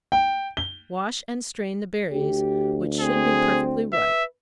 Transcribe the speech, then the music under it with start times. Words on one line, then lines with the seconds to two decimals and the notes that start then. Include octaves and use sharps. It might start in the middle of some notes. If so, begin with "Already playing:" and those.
Wash and strain the berries, which should be perfectly ripe.
0.12 G5
0.57 G7
2.12 D2 G4
3.00 C4 G#4
3.93 B4 E5